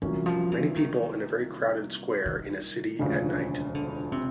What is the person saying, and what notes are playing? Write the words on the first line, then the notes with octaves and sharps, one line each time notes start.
Many people in a very crowded square in a city at night.
C2 A#2 E3 F#3 A#3 C#4
F3
E3
D#3
D#3
E1 D2 C#3 F3
D3
C3